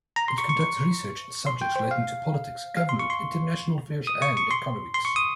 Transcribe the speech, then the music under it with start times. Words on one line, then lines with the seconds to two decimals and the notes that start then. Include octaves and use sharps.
It conducts research in subjects relating to politics, government, international affairs, and economics.
0.16 A#5
0.28 C6
0.38 C#6
0.49 C#6
0.61 C#6
1.47 C6
1.62 G5
1.76 C5
1.91 F5
2.77 F5
2.89 C6
2.99 C#6
3.10 C6
4.07 D#6
4.22 C#6
4.37 C#6
4.51 C6
4.94 C6
5.05 C#6
5.16 D#6